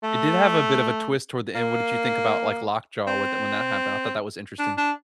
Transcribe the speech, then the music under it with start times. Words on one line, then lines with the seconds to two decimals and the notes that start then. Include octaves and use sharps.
It did have a bit of a twist toward the end, what did you think about, like, Lockjaw with the when that happened? I thought that was interesting.
0.04 A3
1.55 A#3
3.07 C4
4.59 D4
4.78 D4